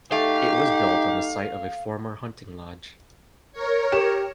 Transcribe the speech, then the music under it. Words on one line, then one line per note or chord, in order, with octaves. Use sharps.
It was built on the site of a former hunting lodge.
A3 D#4 G4 F5
A#4 C#5
G4 E7